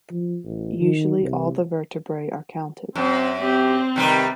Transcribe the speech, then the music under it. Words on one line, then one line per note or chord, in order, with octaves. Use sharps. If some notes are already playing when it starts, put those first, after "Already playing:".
Usually all the vertebrae are counted.
F3
A1
D#3
C2
F#2 C4
C4 G4
C3 D#3 G3 B4